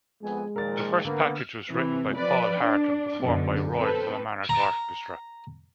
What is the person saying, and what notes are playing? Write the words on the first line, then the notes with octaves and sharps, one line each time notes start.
The first package was written by Paul Hart and performed by Royal Philharmonic Orchestra.
F2 G#3 B3 G#5
A#2 D#3 F3 A#4 A6
D3 A#3 B3
C3 E3
F3 B4 D5
D4
F#2 B2 D3
C4 A4 B4
A#5